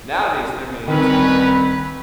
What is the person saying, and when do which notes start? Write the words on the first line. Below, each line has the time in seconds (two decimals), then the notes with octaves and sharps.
Nowadays, they're made to, like
0.88 C2 D#3 C4 C#4 D#4 B4 B5